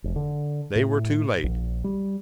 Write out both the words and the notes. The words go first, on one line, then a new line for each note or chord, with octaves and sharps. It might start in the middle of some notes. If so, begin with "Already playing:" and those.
They were too late.
F1
D3
A2
A#1
G3